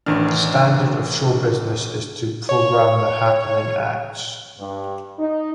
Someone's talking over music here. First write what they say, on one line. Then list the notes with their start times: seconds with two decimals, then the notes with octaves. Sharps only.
The standard of show business is to program the happening acts.
0.06 A1 D#3 D4 F6
2.49 C#5
4.59 G2
5.18 D#4